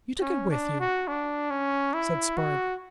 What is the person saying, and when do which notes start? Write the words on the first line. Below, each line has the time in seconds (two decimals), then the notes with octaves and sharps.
"You took it with you?" said Spargo.
0.22 C#4
0.51 D4
0.80 F#4
1.08 D4
1.50 C#4
1.94 E4
2.37 F#4